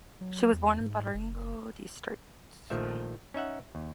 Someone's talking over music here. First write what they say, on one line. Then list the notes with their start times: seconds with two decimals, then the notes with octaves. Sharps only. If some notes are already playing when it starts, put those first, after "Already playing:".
She was born in Baringo District.
0.21 F#3
0.53 E2
0.80 G#2
1.14 F#1
2.70 A#1 D#3 F3 A3 E5
3.34 C#4 D#4 E5 F#5
3.75 D#2